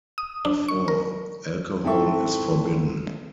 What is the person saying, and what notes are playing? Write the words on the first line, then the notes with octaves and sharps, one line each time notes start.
Therefore, alcohol is forbidden.
D#6
D4
C#6
A#4
G#2 C4 E4 A4 E5 C#6